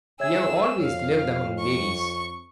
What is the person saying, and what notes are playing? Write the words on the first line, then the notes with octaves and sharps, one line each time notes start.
You have always lived among ladies.
G#4 C#5 E5 E6 G#6
F2 C#5 F5
C#6